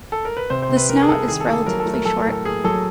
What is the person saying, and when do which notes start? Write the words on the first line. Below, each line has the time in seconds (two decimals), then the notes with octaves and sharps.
The snout is relatively short.
0.12 A4
0.25 A#4
0.37 B4
0.50 C3 C5
0.62 C5
0.69 C3
0.76 B4
0.89 C3 A#4
1.02 G#4
1.09 C2 A4
1.28 D#3 G#4
1.40 A4
1.48 A3
1.54 A4
1.67 F#3 A#4
1.80 A4
1.86 A3
1.93 A#4
2.05 F#3 A4
2.18 A#4
2.25 A2
2.32 A4
2.45 A#3 G#4
2.64 F#3 A4